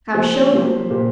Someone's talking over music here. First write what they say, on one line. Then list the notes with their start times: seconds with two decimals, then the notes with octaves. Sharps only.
I'll show you.
0.14 F3 A#3 G4 C5
0.52 F3 A#3 G4 C5
0.90 A#2 A#3 G4 C5